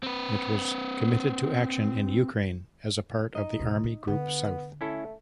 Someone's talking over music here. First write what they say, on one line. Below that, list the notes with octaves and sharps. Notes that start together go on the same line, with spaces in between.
It was committed to action in Ukraine as a part of Army Group South.
C4 B4
D#4 D#5
D2 B2
D#4
D3 B3
A3 C#4 E4 A4